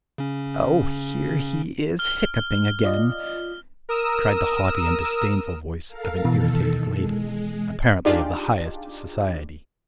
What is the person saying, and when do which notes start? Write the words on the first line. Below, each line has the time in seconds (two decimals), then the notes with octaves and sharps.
"Oh, here he is hiccupping again!" cried the haughty and disdainful voice of an irritated lady, apparently of the highest society.
0.18 C#3 C#4
1.99 F6 G7
2.84 F4 D5 D#5
3.89 A#4 D#6 E6 E7
5.88 A4 A#4 F5
6.25 B2 D#3 E3 A4
6.89 G#3
8.05 D4 D#4 F4 G4 G#4 D5